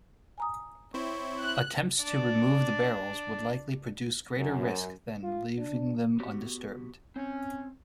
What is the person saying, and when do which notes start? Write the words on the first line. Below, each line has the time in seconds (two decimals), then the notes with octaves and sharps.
Attempts to remove the barrels would likely produce greater risk than leaving them undisturbed.
0.38 G#5 A#5 D#6
0.94 C4 E4 C5 C#5
1.40 F#6
2.00 D4 D5
4.37 F#2
5.23 F4
5.58 D4
6.20 B3 F#4 G4
7.16 C4 C#4